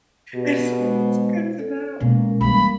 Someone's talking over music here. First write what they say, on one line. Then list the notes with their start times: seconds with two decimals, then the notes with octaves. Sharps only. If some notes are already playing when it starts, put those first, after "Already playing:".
It's so it's good to know.
0.35 B2 G4
0.79 G#3 D4 C5
1.59 A4
2.00 B2 G#3 A#3 C#4 A#4
2.41 E3 G3 A#3 B5